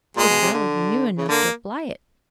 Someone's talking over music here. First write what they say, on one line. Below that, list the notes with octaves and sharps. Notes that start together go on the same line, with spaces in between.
'Tis well you knew enough to apply it.
A#2 G#3
B2
C3
D3
C#3
D3 A#3